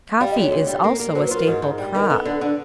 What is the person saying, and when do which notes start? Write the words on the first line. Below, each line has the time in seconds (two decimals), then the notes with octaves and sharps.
Coffee is also a staple crop.
0.20 G3 F5
0.31 D#5
0.36 D2
0.42 C#5
0.52 D2
0.68 G3
0.84 A#3
1.00 A#3
1.15 F#3 C5
1.25 B4
1.31 F4
1.36 A#4
1.47 G#2
1.63 G#2
1.78 G3
1.95 D#3 B4
2.03 A#4
2.09 B3 A4
2.25 D3
2.41 D3